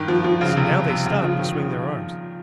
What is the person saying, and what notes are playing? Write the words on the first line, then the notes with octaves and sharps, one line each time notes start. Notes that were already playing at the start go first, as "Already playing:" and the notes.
See, now they stop and swing their arms!
Already playing: G2 D#3
F3
F3
C#3
C3
C3
C#3
F3
D#3
C#3